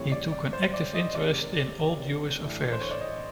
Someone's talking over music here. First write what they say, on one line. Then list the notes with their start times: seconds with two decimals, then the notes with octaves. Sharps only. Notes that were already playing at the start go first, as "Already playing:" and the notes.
He took an active interest in all Jewish affairs.
Already playing: A2 E3 G3 C4 C#5
0.12 D5
0.32 D5
0.53 C5
0.74 D5
0.94 D#5
1.15 C3 D#3 G#3 C#4 D5
2.38 A2 E3 A3 D4
2.72 C5
2.82 C#5
2.91 D5
3.01 D#5